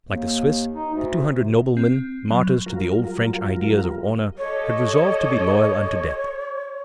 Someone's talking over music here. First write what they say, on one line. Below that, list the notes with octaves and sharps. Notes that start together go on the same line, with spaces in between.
Like the Swiss, the two hundred noblemen, martyrs to the old French ideas of honor, had resolved to be loyal unto death.
D#2
D#4
D2
C3
C4
F#3
F#3 G3 F4 A#4
G4 A4 C#5 D#5